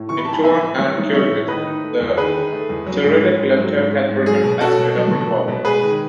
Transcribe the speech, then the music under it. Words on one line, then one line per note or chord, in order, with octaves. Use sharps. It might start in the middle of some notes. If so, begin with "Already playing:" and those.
In Tuvan and Kyrgyz the Cyrillic letter can be written as a double vowel.
Already playing: A2
E3 C#6
B5
D#4 A5
G#5 B5
B3 E5 G#5
A2
E3 C#5 E5
D#4
B3 C#5 E5
A2
D#3 B4 D#5
D#4
A3
E2
D#3 G#4 B4
D#4
A3
E2
F#3
G#2
C#4
G#2
F#3
G#2
C#4
G#2
F#3 G#4
B2
C#4 F#4 A4
B2
F#3
B2
C#4
B2
G#3 G#4 B4
D#3